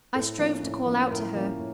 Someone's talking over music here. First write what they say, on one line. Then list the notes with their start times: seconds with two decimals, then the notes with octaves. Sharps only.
I strove to call out to her.
0.15 A2 A4
0.38 F3 A#3 C#4
0.62 A2
0.86 F3 A#3 C#4
1.10 A2 A#4
1.34 F3 A#3 C#4
1.58 A2